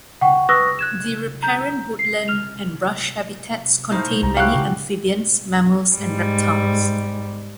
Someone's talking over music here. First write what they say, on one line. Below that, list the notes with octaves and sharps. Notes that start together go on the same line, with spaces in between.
The riparian woodland and brush habitats contain many amphibians, mammals and reptiles.
F#5 G5 C#6
B4 C#6 D#6 E6 F#6 A#6
F#6 G#6 E7
A#5 G6
C7
F6 F7
A2 D#4 C5 F5
C2 A#5
C#4 E4 F#4 G4 F5 F#6
C#3 G#3
G#2 G3